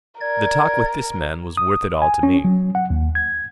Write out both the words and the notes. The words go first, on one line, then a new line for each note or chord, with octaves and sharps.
The talk with this man was worth it all to me.
A#4 D5 G#6
D#6
G#5
C#4
F#3
F#5
D#2
G#6